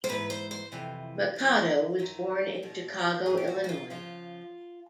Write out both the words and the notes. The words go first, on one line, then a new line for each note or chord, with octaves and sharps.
Machado was born in Chicago, Illinois.
C5
G#2 E3 B4
C5
C5
F2 C3 E3
D2 C3 F3
F#2 D#3
E2 B2
A2 F3 G#4
G4
F#4
F#4
F4
C#3 F3 F4